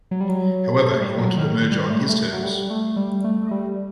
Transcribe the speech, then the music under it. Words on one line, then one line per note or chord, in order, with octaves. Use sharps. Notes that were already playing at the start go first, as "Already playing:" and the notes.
However, he wanted a merger on his terms.
F#3
G3
F#3
A3
G3
F#3
D#3
G3
A3
G3
A3
F#3
G3
A3
G3
A3
G3